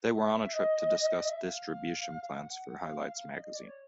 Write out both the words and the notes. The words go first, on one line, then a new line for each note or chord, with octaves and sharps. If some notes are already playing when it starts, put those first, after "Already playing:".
They were on a trip to discuss distribution plans for Highlights magazine.
E5
D#5
E5
F5
F#5
F5
F5
D#5
D5
C#5